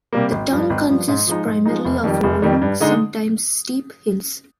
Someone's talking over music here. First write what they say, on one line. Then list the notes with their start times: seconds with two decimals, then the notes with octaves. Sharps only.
The town consists primarily of rolling, sometimes steep, hills.
0.13 C3 G3 A#3
0.31 G#1
0.51 G2 F3
0.70 G#1
0.89 G2 F3
1.08 G#2
1.27 F3 G#3 D#4
1.46 G#2
1.66 F3 G#3 D#4
1.85 F1
2.04 F2 D#3 G3
2.23 F1
2.42 F2 D#3 G3
2.61 G2
2.80 D3 G#3 D#4